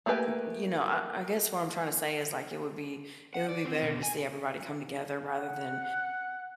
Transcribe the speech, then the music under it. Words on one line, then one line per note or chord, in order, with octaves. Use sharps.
Y You know, I I guess what I'm trying to say is like it would be it would be better to see everybody come together rather than
A3 A#3 G4 B4 G#5
F#5
D5
C4 C5
B2 D3
G#5
F#5